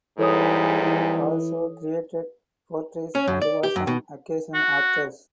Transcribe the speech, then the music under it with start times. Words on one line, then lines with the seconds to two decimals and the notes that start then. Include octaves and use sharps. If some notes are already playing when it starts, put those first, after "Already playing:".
He also created portraits and was an occasional author.
0.19 E2 G#2 E3 G3 A4 C#5 D#6
3.15 C#4
3.28 F#2
3.42 D5
3.63 G4
3.76 F#2
3.87 B2
4.54 F#4